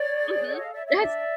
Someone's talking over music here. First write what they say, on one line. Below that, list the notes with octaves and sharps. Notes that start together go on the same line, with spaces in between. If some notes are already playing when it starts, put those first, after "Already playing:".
Mhm. That's
Already playing: C#5 D5
G#4
A4 C#5 D#5
F#5
D#5 F5
C#5 D5 E5
D5 E5
D4 D5 E5